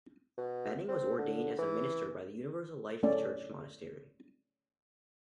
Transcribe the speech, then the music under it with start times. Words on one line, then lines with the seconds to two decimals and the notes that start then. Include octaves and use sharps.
Bening was ordained as a minister by the Universal Life Church Monastery.
0.38 B2
0.88 C4
1.18 D3
1.59 E3
3.03 A3 C#4 D5